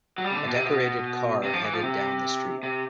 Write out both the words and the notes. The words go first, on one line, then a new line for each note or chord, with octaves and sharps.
A decorated car headed down the street.
F#3
G3
C#3
D3
B2
C3
B2
C3
F3
E3
F3
C3
C3